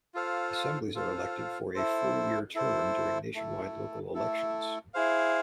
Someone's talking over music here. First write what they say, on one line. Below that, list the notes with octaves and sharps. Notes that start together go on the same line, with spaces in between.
Assemblies are elected for a four-year term during nationwide local elections.
F4 A4 C5 F5
F4 A4 C5 F5
E4 A4 C5
E4 A4 C5
A3 E4 A4
A3 E4 A4
E4 G#4 C5 F5